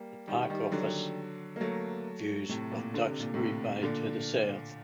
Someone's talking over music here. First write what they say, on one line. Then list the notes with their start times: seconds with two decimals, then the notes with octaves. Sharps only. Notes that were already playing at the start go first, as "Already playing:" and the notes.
The park offers views of Duxbury Bay to the south.
Already playing: G3 A#3
0.27 D#3 G3
0.50 D#3 G3
0.72 D3 F#3
1.56 A#3
1.61 F#3 A3
2.49 A2 C3
2.71 A#2
2.94 D3
3.07 C3
3.20 A#2
3.34 A2 C3
3.82 A#2 D3